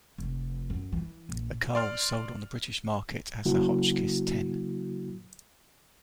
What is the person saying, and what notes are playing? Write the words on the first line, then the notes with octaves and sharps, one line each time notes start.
The car was sold on the British market as the Hotchkiss Ten.
F1
F#2
E3
A#1
D5 C6 F6
C#3 F#3 A#3 E4 F#4